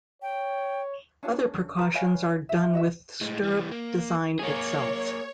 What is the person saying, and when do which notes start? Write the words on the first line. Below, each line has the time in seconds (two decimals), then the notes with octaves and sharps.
Other precautions are done with stirrup design itself.
0.22 C#5 G5
1.23 C#4 D4 F4 A4
1.79 B4 A#5
1.94 B4 C#5 F5 G#5
2.49 E5
2.73 F#4 D#5 E5
3.21 A2 G#3
3.43 E3 G3
3.71 A#3
4.39 A#3 G#4 C#5